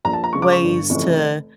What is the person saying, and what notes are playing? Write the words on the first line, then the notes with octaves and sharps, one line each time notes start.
ways to
A#1 A#2 F3 A#5
A5
A#5
C#2 C#3 F3 C#6
D6
C#6
G1 G2 D3
F1 F2 C#3 E3